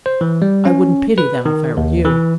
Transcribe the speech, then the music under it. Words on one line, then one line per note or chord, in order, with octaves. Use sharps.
I wouldn't pity them if I were you.
C5
E3
G3
C#4
B4
D#3
D#2
E3